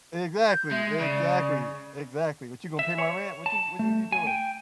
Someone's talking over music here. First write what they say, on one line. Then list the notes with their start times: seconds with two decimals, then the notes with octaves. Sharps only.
Exactly. Exactly. Exactly, "What you gonna pay my rent? What you j what w what are you doing?"
0.49 G6
0.71 G#3 E5
1.00 C#3 D5
2.79 E5
2.98 C#5
3.46 A5
3.79 A3
4.12 G#5
4.27 G5